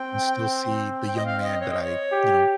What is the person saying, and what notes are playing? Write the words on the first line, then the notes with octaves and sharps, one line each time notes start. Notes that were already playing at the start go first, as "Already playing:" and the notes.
and still see the young man that I, you know,
Already playing: C4 G5
C4 G5
D#5
F5
D#5
C#5
D#5
C#5
G4